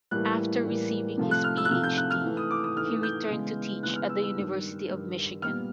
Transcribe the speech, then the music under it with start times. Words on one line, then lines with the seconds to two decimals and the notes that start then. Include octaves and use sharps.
After receiving his PhD, he returned to teach at the University of Michigan.
0.11 A2 E3 G3 A#3 F#6
0.65 A2 E3 G3 A#3
1.17 C3 F3 A3
1.31 F#6
1.44 F6
1.57 E6
1.65 F#6
1.71 C3 F3 A3 F6
1.84 G6
1.97 F#6
2.11 F6
2.24 G#2 E3 A3
2.37 D#6
2.51 D6
2.64 D#6
2.77 G#2 E3 A3 F6
3.03 G6
3.30 C#3 E3 G#3 B3
3.83 C#3 E3 G#3 B3 F#6
3.96 F6
4.09 E6
4.22 E6
4.36 G2 D#3 G3
4.89 G2 D#3 G3
5.42 A#2 G3 B3 F6